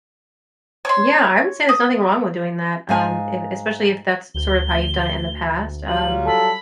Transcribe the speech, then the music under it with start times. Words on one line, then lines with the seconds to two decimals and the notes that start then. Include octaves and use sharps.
Yeah. I would say there's nothing wrong with doing that, um, e especially if that's sort of how you've done it in the past. Um,
0.85 C#5 C6
1.69 D#6
2.89 G#2 F5 G#5
4.34 D2 G7
5.88 F#3 G3 F4 F#7
6.26 A4 B5